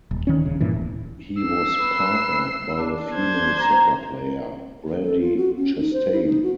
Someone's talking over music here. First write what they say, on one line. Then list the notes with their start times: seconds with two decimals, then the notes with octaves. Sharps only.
He was partnered by a female soccer player, Brandi Chastain.
0.11 D#1
0.27 D#3 C#4
0.46 D#1 C#3
0.60 G2 A#2 E3
0.74 D1
1.42 E6 C7
1.80 B4
2.78 D4
3.14 C5 G#6
3.60 A#5
5.03 A4
5.21 F4
5.37 F#4
5.58 C#4
5.79 D#4
5.93 C5
6.12 E4
6.24 D#4
6.43 F#4